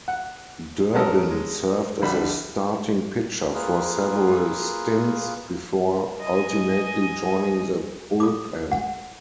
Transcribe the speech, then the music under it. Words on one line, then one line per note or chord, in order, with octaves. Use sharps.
Durbin served as a starting pitcher for several stints, before ultimately joining the bullpen.
F#5
F#3 G#3 C#4 A4 A#4 D#5
G#3
A#1 D3 G3 B5
A#3 F4 G#4 B4
D#5 G#5
A4 D6
F#5